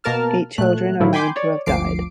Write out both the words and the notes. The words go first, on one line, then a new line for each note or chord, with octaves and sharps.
Eight children are known to have died.
B2 A#3 A#4 A5 F6
A#2 A3 F#6
A2 D3 F3 F#3 E4
G5 G#5 B5 C6 D6 G6
C#5 D5
G1 D2 F3 D6 C7 D7